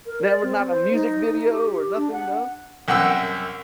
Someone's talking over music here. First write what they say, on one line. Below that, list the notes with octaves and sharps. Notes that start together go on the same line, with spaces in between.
Never not a music video or nothing, no?
A#4
D5
C4
C5
D#4
D#4
G4
D4
F#5
C2 F#2 F#5 G5 E6